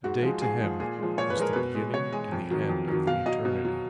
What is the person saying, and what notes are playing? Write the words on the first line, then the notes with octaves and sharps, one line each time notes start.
A day to him was the beginning and the end of an eternity.
G#2 F#4
F3 G#3
G#2 G#4
F3 G#3
A#2 G#4
F3 G#3
A#2 C#5
B4
F3 G#3 A#4
B2 B4
G#3
B2 C#5
G#3 G#5
F2
D#3 F#3
F2
D#3 F#3
B2 F5
F#3 D#5
B2
F#3